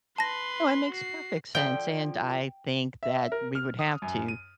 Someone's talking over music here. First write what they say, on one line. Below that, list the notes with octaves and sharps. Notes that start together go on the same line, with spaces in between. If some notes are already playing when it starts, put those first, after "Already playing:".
Oh, it makes perfect sense, and I think that we would have to.
B4 A5 C6 A#6
F#4 C7
D3 F3 F4 G5
E5
A#4
F6
D#6
F#2
D#7